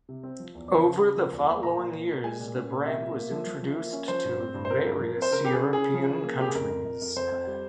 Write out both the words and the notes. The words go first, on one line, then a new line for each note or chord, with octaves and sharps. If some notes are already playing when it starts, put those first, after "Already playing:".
Over the following years, the brand was introduced to various European countries.
C3
C4
F3
E2
C#3
C#3
C#3
F3
E2
A#3
A#2 A#5
A#2
A#2
A#2
G#3 G#5
A#2
C#4
A#2
C3 E5
A#3
A#3
F3
F3
F3
A#3
C#4
F3 C5
G2
C4
G2
C5
C4 A#4
G2
F3
C4
C5
C#3 A#4
C#3 G4
G#4
C#4
C#3 G#4
F3
C#4
A#3
C#3 G4
G#4
F2 A#4
F2
F2
F2
F2 C5
F2
G3